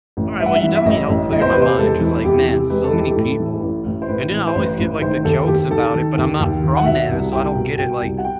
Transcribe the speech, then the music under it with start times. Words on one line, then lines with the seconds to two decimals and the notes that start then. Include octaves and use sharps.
Alright. Well, you definitely helped clear my mind ‘cause, like, man, so many people and then I always get, like, the jokes about it, but I'm not from there, so I don't get it. Like,
0.17 A1
0.39 G2 E5
0.46 F#5
0.54 E5
0.63 E3
0.75 E5
0.85 A1 D#5
1.09 A1
1.31 E2 D#5
1.41 C5
1.51 C3 B4
1.62 C5
1.78 E1 A4
2.01 E3
2.24 E2 G4
2.48 C3
2.70 E1 B4
2.84 A4
2.93 E3
2.98 G4
3.11 A4
3.16 A2
3.40 E3
3.63 A1
3.86 A1
4.02 C5
4.08 A2 B4
4.32 E3
4.47 C5
4.56 A1 B4
4.79 A1
5.02 D#3 C5
5.25 D#2 A4
5.48 D#2 G4
5.70 D#3 A4
5.93 D#3
6.17 D#2
6.40 D#2
6.64 D#3
6.77 F#5
6.86 B2 E5
7.09 C2
7.32 C2 G5
7.55 B2
7.78 B2 G5
8.01 C2
8.18 F#5
8.24 G5